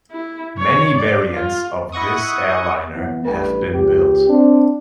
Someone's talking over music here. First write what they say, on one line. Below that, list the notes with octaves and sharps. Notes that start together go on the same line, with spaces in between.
Many variants of this airliner have been built.
E4
C#5
D5
F4
E4 D#5 F#5 C#6 D#6
E3 B3
A1 G2 B4
C#2 G4
C4 D4